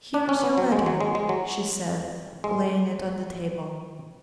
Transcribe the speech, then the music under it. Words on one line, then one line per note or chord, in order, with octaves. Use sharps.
"Here is your letter," she said, laying it on the table.
D4
C#4
B3
F#3
G#3
F#3
G#3
G#3
F#3
G#3